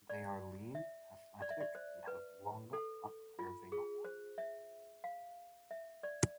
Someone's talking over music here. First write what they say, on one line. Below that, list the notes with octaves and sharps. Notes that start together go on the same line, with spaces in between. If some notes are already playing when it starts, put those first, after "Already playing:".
They are lean, athletic, and have long upcurving horns.
D5
E5
D5
E5
D5
C5
B4
A4
F4
G#4
C5
E5
F5
E5
D5